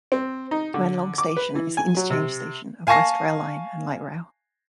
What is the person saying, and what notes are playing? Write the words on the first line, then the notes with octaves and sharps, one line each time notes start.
Yuen Long Station is the interchange station of West Rail Line and Light Rail.
C4
D#4
D3
D6
B4
E3
G#5
F#3
C3
F5 G#5 A5 C#6 A#6 C7